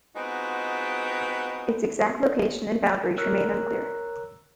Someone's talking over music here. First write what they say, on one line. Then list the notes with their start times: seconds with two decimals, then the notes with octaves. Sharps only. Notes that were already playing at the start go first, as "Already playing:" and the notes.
Its exact location and boundaries remain unclear.
0.15 G#3 B3 C4 D#4 F4 F#4
3.18 A#4 C#5 A#5 E6 F#6